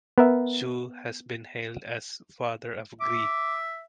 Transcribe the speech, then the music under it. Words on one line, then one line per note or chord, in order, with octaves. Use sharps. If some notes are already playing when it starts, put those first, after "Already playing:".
Zhu has been hailed as "Father of Gree".
B3 A#4 E5
E5 D6